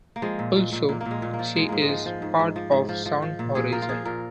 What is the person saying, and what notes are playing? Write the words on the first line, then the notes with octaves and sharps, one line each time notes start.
Also, she is part of Sound Horizon.
A#3
F3 G#3
A#2
A#2
A#2
A#2 A#3
A#3
A#2
G#3
A#2
A#3
F3
G#2 G#3
G#2 A#3
G#3
F3
F3
G#2
G#2
F3
G#2
F3
F3
F3
A#2
A#2 G#4
F3 A#4
F4
F3 G#4
A#2 A#4